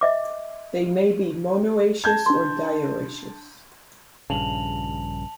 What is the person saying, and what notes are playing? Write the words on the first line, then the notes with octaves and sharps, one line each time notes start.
They may be monoecious or dioecious.
D#5 E5 D6
A5 G6 G#6
D4 C6
A#1 G2 C#3 A5 F7 F#7